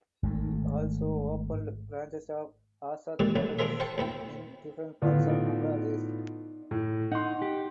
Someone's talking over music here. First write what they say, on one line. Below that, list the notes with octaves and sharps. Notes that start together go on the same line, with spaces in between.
He also opened branches of Azad products in different parts of Bangladesh.
G#1 G#3 A3
A#2 D3 E3 G3 G#3
C#2 F#3 A3
D4 F4 G#4 A#4 C5 E5
C5 F5 G5 A5 C#6
D2 B3 E4 G5
A2 D3 B3 F4
D#4 D5
A2
D#4 F#5 C6
G4